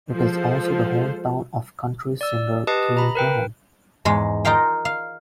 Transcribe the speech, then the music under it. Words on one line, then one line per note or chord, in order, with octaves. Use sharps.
It is also the hometown of country singer Kane Brown.
F3 G#3 F4 A4 C5
D5 E6
G4 B4 D#5 A5 D#6
A#5 B5
A#4 B4 G5
E2 G#2 G#3
D#4 F4 A#4 F5 G5
F5